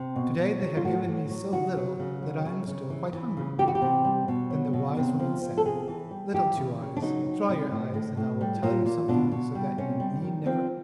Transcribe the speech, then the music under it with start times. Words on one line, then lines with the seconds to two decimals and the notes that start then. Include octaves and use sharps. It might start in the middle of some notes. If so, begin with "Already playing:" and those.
To-day they have given me so little that I am still quite hungry.' Then the wise woman said, 'Little Two-eyes, dry your eyes, and I will tell you something so that you need never be hungry again.
Already playing: C3
0.16 B2
0.38 B2
0.62 F#3
0.77 F4
0.84 A2 F#4
1.07 A2
1.30 F#3
1.53 C#3 F#4
1.77 F#3
2.00 C#3
2.22 F#3
2.45 C#3
2.67 C#3
2.90 E3
3.13 E3
3.37 C#3
3.59 E3 G4
3.68 F#4
3.75 G4
3.82 C3
4.05 G3
4.28 B2
4.50 F#3
4.73 B2
4.97 C3
5.20 F3
5.42 F3
5.57 A4
5.65 C3 G#4
5.88 E3
6.11 G3
6.33 E3 G4
6.57 C#3
6.80 C#3
6.96 D4
7.02 F#3 D#4
7.26 F#3
7.49 C3
7.71 A2
7.94 A2
8.17 A2
8.41 G3
8.63 A#2
8.86 A#2
9.08 B2 D4
9.32 B2
9.55 G3
9.78 C3 C#4
10.00 G3
10.23 D#3
10.46 F3 C4